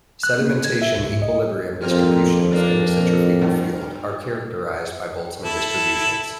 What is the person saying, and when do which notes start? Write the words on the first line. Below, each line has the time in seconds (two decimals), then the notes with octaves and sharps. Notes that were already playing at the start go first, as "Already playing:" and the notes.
Sedimentation equilibrium distributions in the centrifugal field are characterized by Boltzmann distributions.
0.23 F#6
0.40 A#3
0.64 G#6
0.82 E5
0.97 C2
1.09 G#2
1.22 D#5
1.81 F2 A#2 C4 A#4
2.51 A#3 D4
3.41 G2
5.45 E4 A4